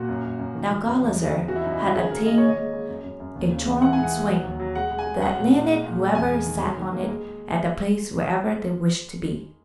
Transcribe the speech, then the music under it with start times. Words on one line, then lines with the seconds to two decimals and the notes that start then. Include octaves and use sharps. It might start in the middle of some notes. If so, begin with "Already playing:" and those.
Now Gulizar had obtained a charmed swing, that landed whoever sat on it at the place wherever they wished to be.
Already playing: A#2 F#4
0.08 F#2
0.24 F#2
0.39 F#2
0.55 D#3
0.70 D#3
0.86 F#2
1.02 E2
1.17 G#3
1.33 E2
1.48 E3 F#4
1.56 E4
1.64 F#2 D#4
1.72 E4
1.79 C#3
1.87 F#4
1.95 D#3 G#4
2.10 G#2 A#4
2.26 A#3 D#5
2.38 D#3 C#5
2.49 D#5
2.57 G#3
2.73 G#3
2.88 F#2
3.04 F#2
3.20 F#2
3.35 D#2
3.50 C#3
3.66 E3
3.82 E3 F#5
3.93 G#2 G#5
4.03 F#5
4.13 A#3
4.28 F#3
4.44 D#2
4.59 F#3
4.75 G#3 F#5
4.91 G#3
4.99 G#5
5.06 G#3
5.22 F#3 F#5
5.37 A#2
5.52 A#2
5.68 G#3
5.84 A#2
5.99 G#3
6.15 E2 G#5
6.31 G#3
6.46 D#3
6.61 F#3
6.77 D#3
6.93 A#3
7.08 G#3